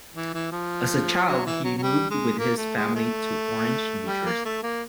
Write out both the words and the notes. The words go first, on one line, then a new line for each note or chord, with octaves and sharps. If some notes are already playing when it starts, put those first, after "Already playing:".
As a child, he moved with his family to Orange, New Jersey.
E3
E3
F3
F#3
E3
F#3
F#3
G3
G#3
A#3
A3
G#3
A3
G3
A#3
A3
A#3